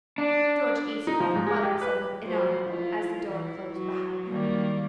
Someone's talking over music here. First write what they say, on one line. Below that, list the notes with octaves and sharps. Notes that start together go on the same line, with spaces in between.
George Eastman muttered something inaudible as the door closed behind her.
D4
D#4
F3
G#2
G#3
G4
B4
F3 F#3 C5
E4 F4
E3 E4
F#3
D#3 G3 A#3